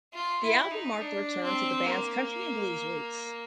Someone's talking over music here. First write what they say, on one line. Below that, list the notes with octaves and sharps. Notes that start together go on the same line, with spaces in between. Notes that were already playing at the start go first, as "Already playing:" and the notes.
The album marked a return to the band's country and blues roots.
F4
E4
D#4
D4
C4
A#3